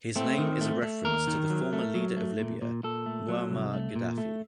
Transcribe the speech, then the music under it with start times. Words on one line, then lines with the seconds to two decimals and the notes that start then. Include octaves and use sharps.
His name is a reference to the former leader of Libya, Muammar Gaddafi.
0.16 A3 C4
0.38 D#3
0.61 A3
0.83 A3
1.05 D#2 A#4
1.27 D#3
1.50 F#3
1.73 A3
1.95 F#3
2.17 A3
2.39 A#2
2.62 A#2
2.84 A#2 A4
3.06 A3
3.29 F#3
3.50 C2
3.73 A3
3.96 A#2
4.18 A3